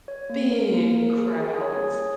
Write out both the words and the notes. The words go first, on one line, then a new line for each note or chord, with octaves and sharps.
big crowds.
C#5
A#3
A#4
A#3
A#4
G#4
G#4
C#5
G#4